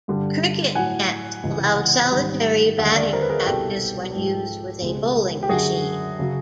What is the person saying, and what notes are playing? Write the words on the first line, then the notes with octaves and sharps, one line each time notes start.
Cricket nets allow solitary batting practise when used with a bowling machine.
G2 D3 G3
A2 F#3 F#5 G#5
C#2 C3 E3
G#2 D#3 G3
D#2 D3 G3 E5 F#5
F5
D5 E5
A#4 C5
B4
G#4 A#4
C2 B2 G3 G4 A4
G#2 F3 G#3
C#2 B2 G#3
G4
F#2 D3 F#3 F#4 G#4
C#3 F#3